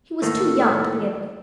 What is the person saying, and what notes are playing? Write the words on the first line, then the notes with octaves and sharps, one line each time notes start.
He was too young, to begin with.
A2 D#3 A#3 A4